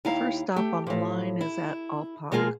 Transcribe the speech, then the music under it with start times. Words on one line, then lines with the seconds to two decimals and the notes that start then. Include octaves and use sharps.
The first stop on the line is at Alpbach.
0.05 D#2 E4 F5 A#5
0.56 A3 G4
0.87 A2 F3
1.41 E4
2.32 B2 F3 G#3 A#3 F4 G#4